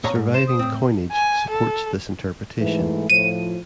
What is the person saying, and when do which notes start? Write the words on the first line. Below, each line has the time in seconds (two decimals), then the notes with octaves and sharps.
Surviving coinage supports this interpretation.
0.04 A#2 C#5 A#5
0.15 G#2
0.34 C5 E7
0.48 D#6
0.59 A2 C4
1.12 G#5
1.50 A4
2.59 G#2 E3 A3
3.10 A2 F3 D#7